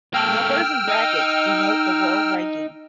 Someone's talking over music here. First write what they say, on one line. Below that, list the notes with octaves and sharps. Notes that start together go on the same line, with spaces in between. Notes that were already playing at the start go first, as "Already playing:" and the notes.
Numbers in brackets denote the World ranking.
A#3 A4 G5 E6 F6
D#4